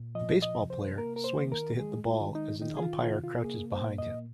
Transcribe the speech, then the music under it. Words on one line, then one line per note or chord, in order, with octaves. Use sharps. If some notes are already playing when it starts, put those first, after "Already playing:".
A baseball player swings to hit the ball as an umpire crouches behind him.
Already playing: A#2
F3 D#5
D#5
C3
C5
A#3 A#4
A#4
C5
D#3
A#4
G#3 G#4
F4
D#3
D#4
D#3 D#4
G#4
F4
C3 F4
F4
A#3 G#4
C5
A#2
D#5